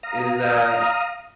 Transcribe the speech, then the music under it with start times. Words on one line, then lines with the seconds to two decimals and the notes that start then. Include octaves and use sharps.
is that
0.03 F5 A#5 D#6